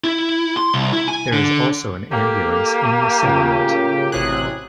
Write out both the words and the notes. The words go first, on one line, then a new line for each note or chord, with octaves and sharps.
There is also an ambulance in the settlement.
E4
C6
C2
E4
G#5
D3
A#3 G4 A4
A2 C#3 F4 A#4
A1 C3 F#3 E4 G#4 F#6